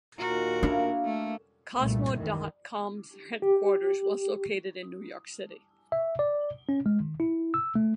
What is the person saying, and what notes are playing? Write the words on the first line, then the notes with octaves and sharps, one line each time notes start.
Kozmo dot com's headquarters was located in New York City.
D#2 A#2 F#4 A#4
A#3 D4 E4 F5
A3
C2 G2 A#2 G3 A3
F#2 D#3 E3
G4
E5
D5
C#4
G#3
D#3
E4
E6
A3